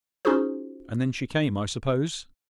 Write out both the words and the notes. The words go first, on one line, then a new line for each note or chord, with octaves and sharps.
"And then she came, I suppose."
C#4 D#4 F4 F#4 G#4 C5